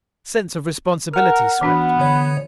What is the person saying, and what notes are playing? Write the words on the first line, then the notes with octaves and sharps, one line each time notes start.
A sense of responsibility swept me.
A#4 F#5 F6
E3 B3 D4 F#4
D3 C#5